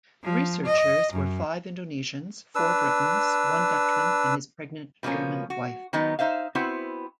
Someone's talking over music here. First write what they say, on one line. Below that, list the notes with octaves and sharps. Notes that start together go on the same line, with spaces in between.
The researchers were five Indonesians, four Britons, one Dutchman and his pregnant German wife.
F3
D#5
F#2
D4 B4 E6
B2 F3 A3 A#3 C#4
F#4
D#3 F#3 B3 D#4
D#4 C5 E5 F5
B3 C4 E4 F#4 C5